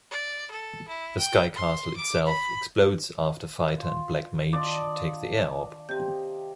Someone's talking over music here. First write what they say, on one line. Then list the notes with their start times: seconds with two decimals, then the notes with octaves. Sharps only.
The Sky Castle itself explodes after Fighter and Black Mage take the Air Orb.
0.11 D5
0.51 A4
0.88 E4
1.18 G5
1.56 C6
1.96 D6
2.26 B5
3.78 F4
4.53 D#3 D4 F4 D5 D#5
5.89 C3 G4 D#5 G6